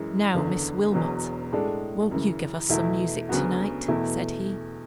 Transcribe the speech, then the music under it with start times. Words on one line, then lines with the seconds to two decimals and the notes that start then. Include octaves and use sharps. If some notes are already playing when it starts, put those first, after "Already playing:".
'Now, Miss Wilmot, won't you give us some music to-night?' said he.
Already playing: F#2 E3 G#3
0.33 F#1 E2 D3
0.92 E1 E2 B2 F#3 B3
1.52 A2 G#3 D4 A4 D5
2.11 F#2 C#3 E3
2.69 E2 B2 A3 E4
3.29 D2 C#3 F#3 B3 F#4
3.88 E2 B2 A3 E4